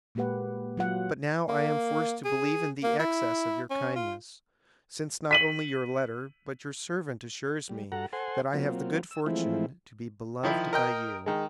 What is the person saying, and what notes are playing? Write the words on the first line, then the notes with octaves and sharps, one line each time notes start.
But now I am forced to believe in the excess of your kindness, since not only your letter but your servant assures me that I have the good fortune to be beloved by you.
A#2 G#3 A#3 G4 B4 F#5
F#3 F4 F#5
A#3
G#4
A#3
E4
C#4
F4
B6 D#7 F#7
G3
G2 F#4 A4 F#5 A#5
A4 C5 F#5 G#5 C6
F#3 A#3 C4 F4
E6
E3 F3 G#3 A3 C4 E4
D#3 F3 E4
A#4 D#5 G5
D#3 G#3